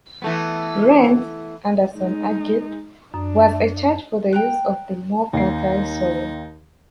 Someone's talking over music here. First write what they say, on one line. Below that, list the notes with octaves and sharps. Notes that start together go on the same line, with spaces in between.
Rent, Anderson argued, was a charge for the use of the more fertile soil.
E3 A3 B3
G#3 D#4
F#2 D4 D#6
G5 A#5 F#6
D#2 D#4 C7